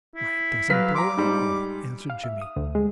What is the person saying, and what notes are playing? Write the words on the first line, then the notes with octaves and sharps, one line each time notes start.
"Why, it doesn't blow at all," answered Jimmie.
E4
F#3 B4 F5 B6
A#5 C6 D6
G#2 G3
F5
E5
D#6
D2
G#3